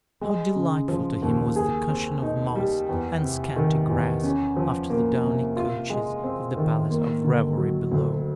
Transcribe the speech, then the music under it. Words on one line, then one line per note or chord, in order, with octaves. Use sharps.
How delightful to him was the cushion of moss and scanty grass after the downy couches of the palace of revelry below!
G#3
C#3
F3
D#2
G#4
C4
D#4
G3
E2
C3
D#3
E2
C#4
F3
A#3
C3
F4
G#3
C4
D#3
A#3
D3
F#3
D2